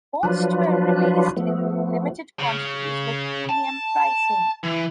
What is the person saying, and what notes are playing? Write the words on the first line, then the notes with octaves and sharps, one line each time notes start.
Most were released in limited quantities with premium pricing.
F3 F#3 D4 F4 B4
F3 A3 B3
C#3
A5
E3